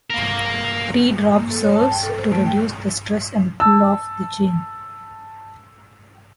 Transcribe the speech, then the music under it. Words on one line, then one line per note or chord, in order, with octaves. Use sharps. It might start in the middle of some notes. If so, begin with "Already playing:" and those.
The pre-drop serves to reduce the stress and pull of the chain.
A#3 A#4
A#3
A4
C#5
A5
G5
A4
C5
A3
G5
A5 E6